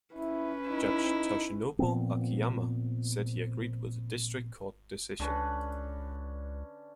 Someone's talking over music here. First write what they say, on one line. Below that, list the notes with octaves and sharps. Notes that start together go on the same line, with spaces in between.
Judge Toshinobu Akiyama said he agreed with the District Court decision.
C#4 E4 B4
D#4 E4
A#2 F3 B3 C4
C#2 D3 C#4 B4